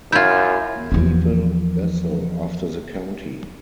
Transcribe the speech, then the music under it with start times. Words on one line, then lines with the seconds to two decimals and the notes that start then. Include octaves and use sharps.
Naval vessel after the county.
0.12 F#2 E4 F4 G6 G#6
0.92 E2 F3